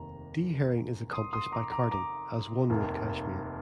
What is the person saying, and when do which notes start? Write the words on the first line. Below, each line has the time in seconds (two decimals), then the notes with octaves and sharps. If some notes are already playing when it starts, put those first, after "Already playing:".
Dehairing is accomplished by carding as one would cashmere.
Already playing: F1 D#2 D#3 A#5
1.13 C6 D#6
1.33 C6 D#6
1.52 A#5 D6
1.72 A#5 D6
1.91 A#5 D6
2.70 F1 D#2 D#3 A#3